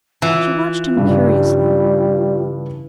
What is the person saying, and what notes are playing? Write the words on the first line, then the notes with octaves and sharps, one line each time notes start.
She watched him curiously.
E3 F4
G2 C#3 G3 D4